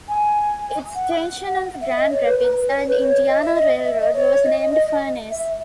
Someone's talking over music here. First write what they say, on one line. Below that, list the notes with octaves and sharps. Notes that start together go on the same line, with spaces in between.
Its station on the Grand Rapids and Indiana Railroad was named "Furnace".
G#5
F#5
E5
D#5
C#5
B4
B4
C#5
C#5
B4
C#5
D#5
E5
D#5
E5
D#5
C#5
D#5
D#5
D#5
D#5
E5